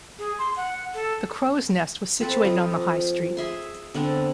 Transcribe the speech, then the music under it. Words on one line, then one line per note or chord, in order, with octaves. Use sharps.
The Crows Nest was situated on the High Street.
G#4
C6
F#5
A4
C4 A4 B4 C5
F3 D#5
G#4 E5 C6
D3 B3 C4 D4